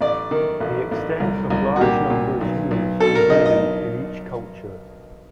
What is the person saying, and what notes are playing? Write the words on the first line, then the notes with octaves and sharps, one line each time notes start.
The extent of large numbers used varied in each culture.
A1 D5
D#3
A1
A1
C2
C2
F#4
A#2 G4
A#2
B1
B1
B2 A4
A#4
B1 D#5
D#5